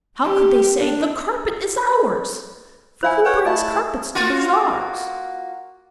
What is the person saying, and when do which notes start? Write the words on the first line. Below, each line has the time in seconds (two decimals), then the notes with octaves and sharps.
How could they say, 'The carpet is ours!' For who brings carpets to bazaars?
0.24 G4
0.78 D4
3.03 E4 C5 F5 G#5
3.25 B4 C#5 F#5 G5
3.46 A3 E4 D#5 F5 A5
4.15 A#3 F4 F#4